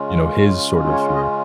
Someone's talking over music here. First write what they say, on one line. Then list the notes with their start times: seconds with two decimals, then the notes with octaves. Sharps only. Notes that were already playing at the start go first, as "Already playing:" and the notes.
you know, his sort of fear.
Already playing: C#3 G#3 C#4 F4
0.90 C#5
1.14 D#5